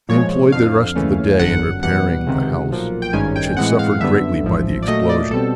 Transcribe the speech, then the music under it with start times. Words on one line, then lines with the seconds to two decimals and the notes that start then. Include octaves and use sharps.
They employed the rest of the day in repairing the house, which had suffered greatly by the explosion.
0.09 A#2 F3 G#3 C#5
0.52 F2 D3 F3 F5
0.96 D#2 C#3 E3 A3 C#4
1.39 G1 F#2 D3 F#5
1.83 E2 B2 G3 F#5
2.27 C#2 C3 D#3
2.70 B1 A#2 F3 A#3
3.02 G5
3.13 G#1 G2 D#3 G#3 C#4 G#5
3.36 G5
3.57 A2 E3 G#3 C4 F#5
3.79 F5
4.00 F#2 D3 G3 B3 E5
4.44 A1 G#2 F3
4.82 D5
4.87 A#2 F#3 A3 D#5
5.09 D5
5.31 B2 G3 C4 A4